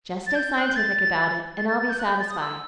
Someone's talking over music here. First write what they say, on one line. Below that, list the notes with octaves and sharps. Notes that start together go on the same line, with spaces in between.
Just stay scientific about it and I'll be satisfied.
A6
G6
F#6
G6
A6
A6
A6
A6
G6
F#6
G6
A6
D#6
E6